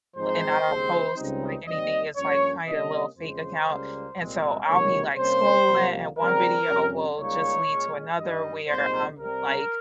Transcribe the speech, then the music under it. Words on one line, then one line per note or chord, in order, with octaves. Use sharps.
but and I don't post, like, anything, it's like, kinda, a little fake account, and so I'll be, like, scrolling and one video will, just, lead to another where I'm, like,
G#2 F3 G#3 C4 D#4 C5
D#2 C#3 G#3 C4
C#2 C#3 G3 C4 D#4
D#2 D#3 G3 C4 D#5
G2 F3 A#3 C#4 C#5
C3 G3 A#3 C#4 D#5
F2 C#3 G#3 C5
C#2 C#3 G3 A#3
C2 A#2 G#3 C4
C#2 C3 D#3 A#3 C#4 C#5
C3 G3 A#3 C#4 C5
C2 C3 F3 A#3
D#2 C#3 G3 C4 A#4
F2 C3 G3 C#4
C#2 C#3 G3 A#3 D#4 C#5
A#2 G#3 C#4
G2 D#3 G3 D#5
C2 A#2 G#3 C4 D#4 C5
C2 C3 G3 C4 A#4